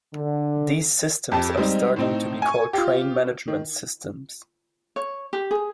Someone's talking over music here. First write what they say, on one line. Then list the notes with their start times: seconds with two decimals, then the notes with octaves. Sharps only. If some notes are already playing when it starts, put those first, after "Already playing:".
These systems are starting to be called train management systems.
0.13 D3
1.32 F2 G4 A5
1.57 G3 G#3 C4 D#4
1.96 A2 C4 D#4
2.42 G#5 C#6
2.73 F4 G4
3.48 D#3
4.96 C#5
5.33 G4
5.51 G#4